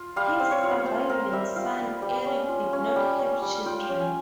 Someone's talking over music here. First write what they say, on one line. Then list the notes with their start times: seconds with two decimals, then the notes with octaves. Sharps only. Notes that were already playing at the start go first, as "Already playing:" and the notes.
His surviving son Erik did not have children.
Already playing: F4
0.16 G3 F5
0.39 C4
0.51 C#5
0.63 F4
0.86 C4 C5
1.09 C4 A#4
1.33 G3 E5
1.56 F4 F5
1.79 G3
2.02 G3
2.26 C#4
2.49 F4
2.73 C#4
2.96 G3
3.19 C#4
3.42 G3
3.65 F4 G5
3.89 C#4
4.01 G#5